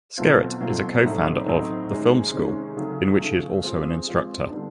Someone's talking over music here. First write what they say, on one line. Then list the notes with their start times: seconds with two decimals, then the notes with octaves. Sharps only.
Skerritt is a co-founder of TheFilmSchool, in which he is also an instructor.
0.18 B2 F#3 A3 C4 F4
0.61 B2 F#3 A3 C4 F4
1.04 A2 F#3 A3 C4 D#4
1.47 A2 F#3 A3 C4 D#4
1.91 C3 D#3 G#3 C#4
2.33 C3 D#3 G#3 C#4
2.77 C#3 F#3 A3
3.21 C#3 F#3 A3
3.64 G#3 C4 F4 G#4
4.07 G#3 C4 F4 G#4
4.50 D3 G3 B3 D4